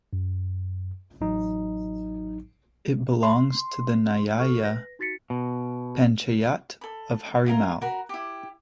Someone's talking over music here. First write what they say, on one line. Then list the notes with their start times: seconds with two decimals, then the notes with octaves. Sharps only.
It belongs to the nyaya panchayat of Harimau.
0.13 F#2
1.21 A1 F#3 D#4
3.23 C6
4.39 F#4 A4 C#6 F6
4.64 B4 A#6
4.99 D#4 F#4 A6 B6 C#7
5.30 B2
6.81 A4 B5
7.46 E4 F4 A#4 A#5
7.81 F#4 A#4 B5
8.09 E4 G4